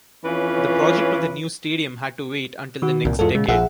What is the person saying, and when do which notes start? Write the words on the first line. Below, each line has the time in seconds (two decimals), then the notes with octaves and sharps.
The project of the new stadium had to wait until the next decade.
0.24 F2 E3 C#4 F4 B4 C#5
2.82 D#3 F#4
3.05 C2 A#2
3.19 E2 G#2 F4 A4
3.35 A#2 C#3 G#3
3.48 A#1 F3 G#4 E5 F#5